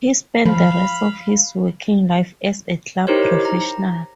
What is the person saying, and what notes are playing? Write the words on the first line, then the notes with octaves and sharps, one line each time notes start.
He spent the rest of his working life as a club professional.
F3 F5 B5
D#4 E4 G4 A#4 C5 C#5
A#5